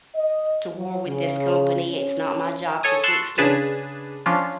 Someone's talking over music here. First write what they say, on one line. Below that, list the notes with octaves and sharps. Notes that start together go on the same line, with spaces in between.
to war with this company; it's not my job to fix them,
D#5
F#3
C#3
C#4
A4 C#5 G#5 D#6
A5 C6 C#6 E6 F#6
C#3 D4 G#4 B4 A5
F3 C#4 D4 F4